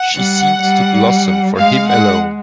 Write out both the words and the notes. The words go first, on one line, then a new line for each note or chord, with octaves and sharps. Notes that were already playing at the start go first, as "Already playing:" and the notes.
She seemed to blossom for him alone.
Already playing: F#5
G3
G3
G#3 F5
F#5